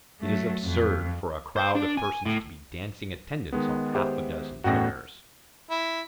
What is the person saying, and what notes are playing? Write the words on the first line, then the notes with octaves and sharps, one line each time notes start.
It is absurd for a crowd of persons to be dancing attendance on half a dozen chairs.
F#3 A3
F2
C5
D4
G#5
A2
D#3 G#3 B3
G4 C5 E5
A1 E2 A2 F#4 G5 A#6
E4